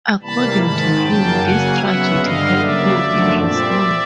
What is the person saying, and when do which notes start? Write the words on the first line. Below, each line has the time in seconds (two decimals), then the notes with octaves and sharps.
According to him, this tragedy helped him in wrestling.
0.22 C3 E3 G3 A#3 A5 B5
0.61 G#2 D#3 G#3 A5 B5
1.01 F#2 C#3 F#3 A#3 G5 A5
1.40 C#3 F#3 A#3 F#5 G#5
1.80 C#3 F#3 B3 E5 F#5
2.20 G2 D3 G3 D#5 F5
2.59 C#3 F#3 A#3 D5 E5
2.98 F#2 D3 F3 A3
3.38 A#2 G3 C4 D5 E5